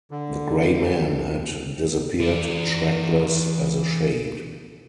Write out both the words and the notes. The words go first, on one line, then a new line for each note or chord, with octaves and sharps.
The gray man had disappeared, trackless as a shade.
D3
E3 D5